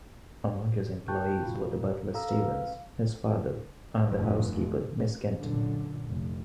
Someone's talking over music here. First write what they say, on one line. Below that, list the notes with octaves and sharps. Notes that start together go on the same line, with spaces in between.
Among his employees were the butler Stevens, his father, and the housekeeper Miss Kenton.
G5 A5 C#6 F#6 G6
F4 F#4
A#4
A4 F5 A#5 E6
B4
F5
F1 G2
F#2 A#2 D3
F1